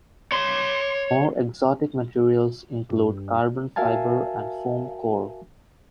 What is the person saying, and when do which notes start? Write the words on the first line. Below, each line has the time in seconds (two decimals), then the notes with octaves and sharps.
More exotic materials include carbon fiber and foam core.
0.32 C#5 C6
2.90 G2
3.76 F#4 A#4 E5 F5 G#5 A5